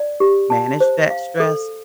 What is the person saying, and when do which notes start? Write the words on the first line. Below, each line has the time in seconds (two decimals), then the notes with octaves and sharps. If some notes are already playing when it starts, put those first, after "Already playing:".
manage that stress,
Already playing: D5
0.20 G4
0.50 A5
0.80 C5
1.10 F5
1.40 A4